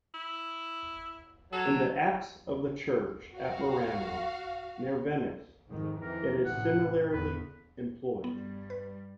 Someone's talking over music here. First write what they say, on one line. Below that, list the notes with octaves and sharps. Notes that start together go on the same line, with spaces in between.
In the apse of the church at Murano, near Venice, it is similarly employed.
E4
F#3 A4
F#4 F5
F2 G#2 D#3
F2 D#3 E3 A#4
A1 A2 C3 F#5
E2 B4
G2 G3 B3
B4